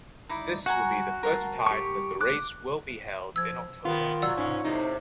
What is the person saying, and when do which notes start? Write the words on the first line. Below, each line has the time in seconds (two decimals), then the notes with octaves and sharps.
This will be the first time that the race will be held in October.
0.29 D#4 E4 D5
0.66 F#4 F#5 G#5 A#5
1.23 A#4 F5 A5
1.67 G4 C#6
2.21 D6 F#6
3.36 F3 E6 G#6
3.85 D#3 B3 F4
4.22 F#3 D5 F#5 E6
4.37 G#2 C#4
4.64 A2 C3 D#4